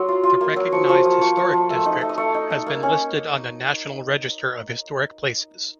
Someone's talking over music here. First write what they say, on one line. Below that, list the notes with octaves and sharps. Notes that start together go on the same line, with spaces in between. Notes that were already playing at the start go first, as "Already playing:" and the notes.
The recognized Historic District has been listed on the National Register of Historic Places.
Already playing: F#3 C6
F4
F4
A#3
F#3
F3 C#6
F3 C#6
F3 D#6
F3 C#6
F3
F3
A3
D#4
A3
D#6
A3 C#6
D#4
D#4
A#3
C#4